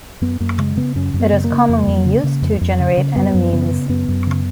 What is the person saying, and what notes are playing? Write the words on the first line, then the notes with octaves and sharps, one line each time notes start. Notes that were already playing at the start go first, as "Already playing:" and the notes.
It is commonly used to generate enamines.
F#2 B3
F#2 A#3
C#3 G#3
C#3 B3
F#2 C#4
F#2
B3
C#3
A#3
C#3
F2
F2
C#3
C#3
F2
F2
C#3
C#3
F#2 B3
F#2
C#3 B3
C#3
F#2 B3
F#2
C#3